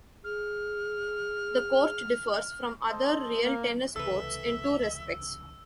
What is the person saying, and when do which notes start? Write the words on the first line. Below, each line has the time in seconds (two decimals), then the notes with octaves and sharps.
The court differs from other real tennis courts in two respects.
0.24 G#4 F6
2.89 A4 C5 D#5
3.41 A#3 A#4
3.96 C#2 C3 E3 A4 B4 E5 E6